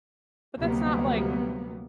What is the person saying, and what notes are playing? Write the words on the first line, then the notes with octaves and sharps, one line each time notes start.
But, that's not like
D2 C3 F#3 G3 A#3 B3